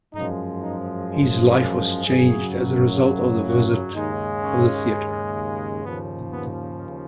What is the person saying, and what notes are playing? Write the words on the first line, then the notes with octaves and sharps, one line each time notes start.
His life was changed as a result of the visit of the theatre.
F#2 F3 G#3 D#4
D#4
F#2 C#3 F#3 G#4
F#4
D#2 C#3 G#3 D#4
C#4
D#2 C#3 F3 B3
B3